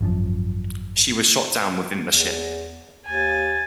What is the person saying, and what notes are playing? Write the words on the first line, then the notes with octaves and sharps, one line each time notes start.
She was shot down within the ship.
G#1 F#2 F3
E2
D#2 G#5 A6